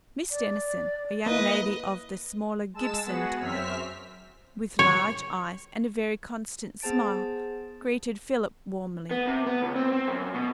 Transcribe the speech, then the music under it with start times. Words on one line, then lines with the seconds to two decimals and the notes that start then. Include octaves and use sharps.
Miss Denison, a young lady of the smaller Gibson type, with large eyes and a very constant smile, greeted Philip warmly.
0.31 D5
1.26 A#3 E4 B4 D#5
2.74 G#3 A5 E6 E7
3.05 B3 F#4 G#4 F#5
3.40 F#2 C4 E5 F6 B6
4.79 C#5
6.82 B3 G#4 C5 A5 A6 D7
9.11 B3
9.27 C3
9.46 B3
9.62 C#2
9.76 C4
9.93 C4
10.08 F#2
10.34 B2